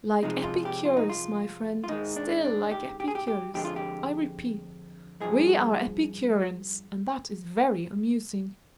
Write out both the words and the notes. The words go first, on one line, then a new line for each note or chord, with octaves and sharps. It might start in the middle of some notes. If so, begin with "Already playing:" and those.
"Like Epicurus, my friend, still like Epicurus; I repeat, we are Epicureans, and that is very amusing."
C3 F3 G#3 D#4
F4
G4
F4
D#4
F4
F4
G#2 D#3 G#3 D#4
D4
D4
G4
G4
G#4
G4
G4
F2 D3 G#3 G4
F4
G4
G2 F3 G#3 G#4